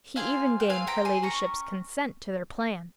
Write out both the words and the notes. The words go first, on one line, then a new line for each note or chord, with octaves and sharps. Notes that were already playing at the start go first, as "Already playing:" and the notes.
He even gained her ladyship's consent to their plan.
C4 F4 G#4 F5 G#5
G5
C4 F4 G#4 F5 G#5
G5 A#5
G#5 C6
C#4 G4 A#5 C#6